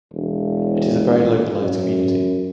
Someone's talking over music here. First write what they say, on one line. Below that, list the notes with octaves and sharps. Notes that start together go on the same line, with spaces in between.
It is a very localised community.
E1
F#2